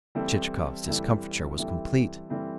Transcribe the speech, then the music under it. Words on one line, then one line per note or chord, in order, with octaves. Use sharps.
Chichikov's discomfiture was complete.
E3 G3 C4 E4 A4
E3 G3 C4 E4 A4
E3 G3 C4 E4 A4
E3 G3 C4 E4 A4